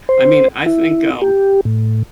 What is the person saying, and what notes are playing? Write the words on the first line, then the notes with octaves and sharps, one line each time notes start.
I mean, I think, um
C5
E4
G4
A2